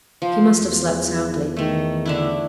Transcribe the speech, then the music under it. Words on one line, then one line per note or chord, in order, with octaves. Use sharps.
He must have slept soundly.
F3
E2
D#3 A3
D3 D4 E4